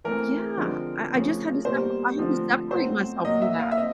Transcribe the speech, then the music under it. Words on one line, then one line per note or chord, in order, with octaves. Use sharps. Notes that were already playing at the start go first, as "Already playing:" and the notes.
Yeah, I I just had to sepa I had to separate myself from that.
E3 A3 C4 A#4
D3 F3 G#3 C4
C#3 F3 A3 C4
B2 G3 A#3 C5
D3 F3 A3 C4
B2 F#3 A3 C4 C5
A#2 F#3 A#3 D#5
E5
F5
E5
C4 D#5